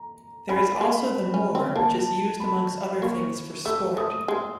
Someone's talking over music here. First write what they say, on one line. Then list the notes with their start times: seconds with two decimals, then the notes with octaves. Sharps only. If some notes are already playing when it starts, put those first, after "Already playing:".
There is also the Moor which is used amongst other things for sport.
Already playing: A#5
0.49 C#4 B5
0.81 G#3
1.34 C#4
1.55 C4
1.76 A#3 A5
2.40 B5
3.02 A#3 C#6
3.65 A3 E6
3.97 A3 D#6
4.28 G#3